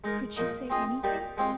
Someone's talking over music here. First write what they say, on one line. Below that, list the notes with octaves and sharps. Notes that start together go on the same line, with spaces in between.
Could she say anything?
G#3 D#4 A#4
A#2 F3 A#3 D#4
C4 F4 G#4 D#5
G3 A#3 D#4 G4 D5
G#3 C4 F4